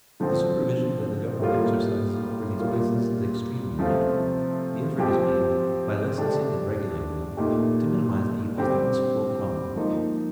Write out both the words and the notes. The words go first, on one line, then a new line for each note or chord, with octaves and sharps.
The supervision that the government exercises over these places is extremely rigid; the effort is made, by licensing and regulating them, to minimize the evils that must flow from them.
D3 F3 C4
A2 G3 A#3 F4
A#2 G3 A#3 F4
C3 F3 A3 C4 F4
F3 C4 G4
D3 A3 D4 G4
A#2 A3 D#4 G4
D3 G3 C4 G4
F3 A#3 D#4